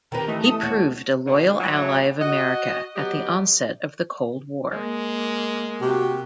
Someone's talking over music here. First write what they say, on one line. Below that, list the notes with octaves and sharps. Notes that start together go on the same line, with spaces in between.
He proved a loyal ally of America at the onset of the cold war.
D#3 C4 G4 A#4 B4 A#5
E3 A3 D#5
A4 D#6
D#2 F#4 C#5
B2 D3
A2 E3 F#3
F#4 D#5
F#3 B3 G4 D#5
G#3 A#3
C3 F#4 G4